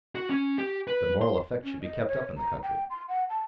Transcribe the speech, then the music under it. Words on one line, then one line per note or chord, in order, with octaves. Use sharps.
The moral effect should be kept up in the country.
F#4
C#4
G4
B4
C6
C#4
D#5
C#5
A#5
G5
C6
F#5
A5